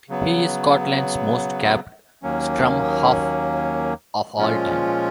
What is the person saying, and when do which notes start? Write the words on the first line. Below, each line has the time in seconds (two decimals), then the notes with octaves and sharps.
He is Scotland's most capped scrum-half of all time.
0.09 C#3 F#3 B3
2.22 D#2 D#3 F#3 A#3 C#4
4.37 A#2 F3 G#3 C#4 F4